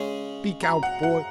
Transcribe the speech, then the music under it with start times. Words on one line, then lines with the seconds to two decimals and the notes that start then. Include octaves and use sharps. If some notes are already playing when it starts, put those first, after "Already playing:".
Speak out, boy!
Already playing: C#3 G#3 C#4 G#4
0.63 A#5
0.83 F#5
1.03 F#5